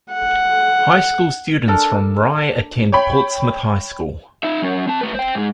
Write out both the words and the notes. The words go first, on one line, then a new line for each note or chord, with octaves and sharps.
High school students from Rye attend Portsmouth High School.
F#5
D4 A4 A#4
C#5 G5 B5
D#4 E5
F#3 C#4
C4 A5
A3 B4
C5 G5
G#2 G#3